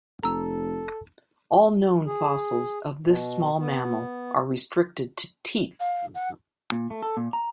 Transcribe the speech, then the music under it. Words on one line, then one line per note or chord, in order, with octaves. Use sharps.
All known fossils of this small mammal are restricted to teeth.
F1 A4 A#5 E6
G#4
B2
B3
F5
F#5
A#2
A3
A4
A#2
A#5